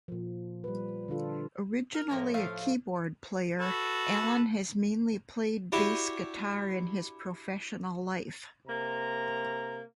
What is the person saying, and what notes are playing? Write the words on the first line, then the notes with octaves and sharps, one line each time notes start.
Originally a keyboard player, Alan has mainly played Bass Guitar in his professional life.
A#2 F3
G3 B4
D3 D4 F4 A4
A#4
A2 F3 A#3
F3 A3 F5
F#4 A4 B4
D4 E4 F#4 G4
C3 A#3 A#5